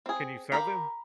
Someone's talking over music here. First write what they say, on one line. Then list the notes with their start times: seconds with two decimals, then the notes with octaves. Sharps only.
Can you sell them?
0.06 C4 G#4
0.52 G4 A#4 F5 A#5 B5